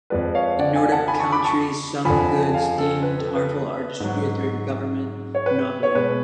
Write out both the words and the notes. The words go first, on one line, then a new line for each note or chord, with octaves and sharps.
In Nordic countries some goods deemed harmful are distributed through a government monopoly.
F2 F3 G#3 B4 D5
C#5 F5
D5 F#5
F5 G#5
F#5 A5
G#5 B5
A5 C#6
B5 D6
A5 C#6
F2 D3 F3 G#5 B5
F5 G#5
A4
B4
A4
B4
G#2 F#3
C#5
B4
C#5
B2 G#3 B4